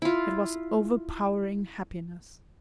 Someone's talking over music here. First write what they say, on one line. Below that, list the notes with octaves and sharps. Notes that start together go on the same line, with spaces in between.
It was overpowering happiness.
E4 F4